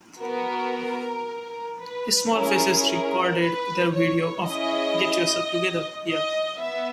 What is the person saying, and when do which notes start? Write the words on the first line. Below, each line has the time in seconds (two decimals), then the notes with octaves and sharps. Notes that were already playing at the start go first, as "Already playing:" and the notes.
The Small Faces recorded their video of "Get Yourself Together" here.
0.19 B3 F#4 A#4
1.80 B4
2.33 C#4 E4 G#4 A#4
2.87 A#4
3.40 B4
3.94 C#5
4.47 C#4 E4 G#4 D#5
6.08 D#5
6.61 B3 E5